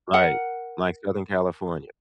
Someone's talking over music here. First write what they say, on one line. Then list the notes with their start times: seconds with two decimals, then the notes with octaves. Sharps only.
Right, like Southern California.
0.14 A#4 F#5